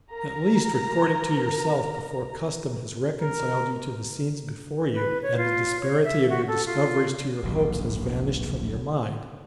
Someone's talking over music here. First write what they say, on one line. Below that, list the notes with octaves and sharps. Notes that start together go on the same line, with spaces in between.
At least record it to yourself before custom has reconciled you to the scenes before you, and the disparity of your discoveries to your hopes has vanished from your mind.
A#4 A#5
A#4
B4
C#5
F4
C#5
E5
F#4
A4
F4
D1 A#1 F#2